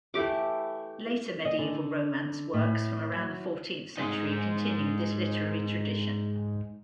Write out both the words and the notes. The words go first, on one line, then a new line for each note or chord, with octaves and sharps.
Later medieval romance works from around the fourteenth century continued this literary tradition.
E3 A3 G4 D6
D#5
D3
A2
F#3
G#2 C#3 G#3 D#4